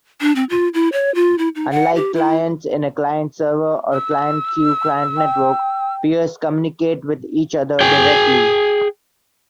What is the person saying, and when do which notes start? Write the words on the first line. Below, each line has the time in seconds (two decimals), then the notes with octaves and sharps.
Unlike clients in a client–server or client–queue–client network, peers communicate with each other directly.
0.21 D4
0.36 C4
0.50 F4
0.74 E4
0.93 C#5
1.15 F4
1.38 E4
1.55 D#4
1.71 F#5
1.95 G4
2.15 E4
3.93 E6
5.17 G5
7.81 G#4 G5